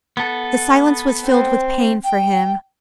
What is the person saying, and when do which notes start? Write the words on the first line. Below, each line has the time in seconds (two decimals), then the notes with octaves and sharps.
The silence was filled with pain for him.
0.17 B3 A4
1.26 C4
2.03 G5